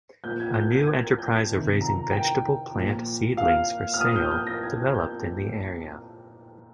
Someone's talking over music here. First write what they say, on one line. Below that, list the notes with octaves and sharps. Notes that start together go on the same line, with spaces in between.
A new enterprise of raising vegetable-plant seedlings for sale developed in the area.
A#2 F3 G6
G#6
G6
G6
G#6
G6
C3 D#3
A#5
G5
A#2 F3
F5
F6
A#2 F3 D#6
G6
G6
A#6
G#6
G6